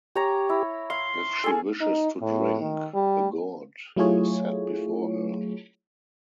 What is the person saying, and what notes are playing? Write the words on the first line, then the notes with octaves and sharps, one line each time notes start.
If she wishes to drink, a gourd is set before her.
G4 C#5 A#5
E4
F5 C6
G#4 A4
D#4
A2
D#3
G3
F#3 A3 E4 F4 G#4 C#5